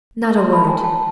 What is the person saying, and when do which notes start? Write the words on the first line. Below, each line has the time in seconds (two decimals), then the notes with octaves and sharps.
"Not a word."
0.23 F#4 A#4 C#5 C#6 D#6
0.38 A#5 C6
0.53 A5 B5
0.68 G#5 A#5
0.84 G5 A5